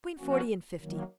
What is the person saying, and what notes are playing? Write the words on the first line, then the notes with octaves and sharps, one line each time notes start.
"Between forty and fifty."
F3 A#3 C#4 F#4
D#3 F#3 A#3